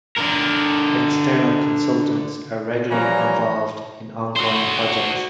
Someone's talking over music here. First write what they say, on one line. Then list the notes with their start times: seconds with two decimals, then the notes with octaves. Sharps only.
External consultants are regularly involved in ongoing projects.
0.18 D3 A#4
2.90 E3 F3 G3 A#3 C#4 A#5
4.36 F#4 C5